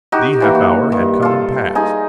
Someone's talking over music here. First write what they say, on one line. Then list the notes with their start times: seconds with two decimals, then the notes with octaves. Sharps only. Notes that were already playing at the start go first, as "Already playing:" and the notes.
The half-hour had come and passed.
0.12 D#4 F#4 G4
0.40 D#3 E3 A#3
0.55 F#4
0.92 G2
1.22 F4 A4
1.75 D#4 G#4